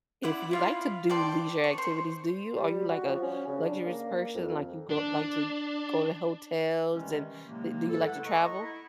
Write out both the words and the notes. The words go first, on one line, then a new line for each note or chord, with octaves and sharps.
if you like to do leisure activities, do you? Are you, like, a luxurious person, like, you go like to go to hotels and, uh, do you like to travel?
E4 D5 F#5
E4 F4 F5
C5 D5 G5 A5
C#5
C5
G3
F#4
F3
C#4
C#3
D4
A#3
F2
D4
C3 D#3 E3 G3 G#3 C#4
A2 C3 F#3 G#3 A#3
A4
A3 E4 B4 F#5
D#5 A#5 C#6
E4